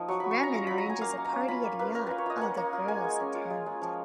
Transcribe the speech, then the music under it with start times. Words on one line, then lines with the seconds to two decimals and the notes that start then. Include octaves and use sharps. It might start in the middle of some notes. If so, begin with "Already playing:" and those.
Rehman arranges a party at a yacht; all the girls attend.
Already playing: F3 A#3 D#4 D#6
0.08 F#3 C#6
0.20 F#3 B5
0.31 C#6
0.39 C#4 A#5
0.55 F4 A#5
0.67 F#3 B5
0.78 A#5
0.86 F#3 G#5
1.01 A#3 F5
1.17 A#3
1.25 A#5
1.33 C#4
1.48 F4 B5
1.64 A#3
1.79 A#3 B4
1.95 A#3 A#4
2.07 F4 B4
2.18 C#5
2.26 F4 D#5
2.37 A#3 F#5 G#5
2.57 A#3
2.73 F4
2.88 G#3 G#5
3.04 G#3
3.20 C#4
3.35 F4
3.50 G#3
3.66 G#3
3.82 F3